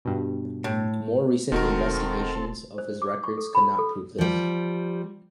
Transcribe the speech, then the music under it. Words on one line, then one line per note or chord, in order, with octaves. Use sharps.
More recent investigations of his records could not prove this.
G2 B2
A2
E1 D#3 C4 F#4 A4 A#4
C5
D6
C#6
A4
B5
A4
F3 G3